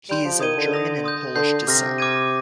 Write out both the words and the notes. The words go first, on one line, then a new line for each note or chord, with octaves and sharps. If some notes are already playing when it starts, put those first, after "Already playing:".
He is of German and Polish descent.
G3 C6 G6 D7 F7
F3
D#3 D#6 G#6 D#7 G7
D3
D#6 A#6 F7
C6 D#6 G6
D3 C6 G6 C7
C3 D6 F6 A#6
D6 F6 G#6 D#7